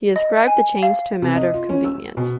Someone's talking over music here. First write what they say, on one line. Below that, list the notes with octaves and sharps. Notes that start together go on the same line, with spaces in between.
He ascribed the change to a matter of convenience.
D#5
G#5
F5
C3
D#5
F4
C#4
E6
B2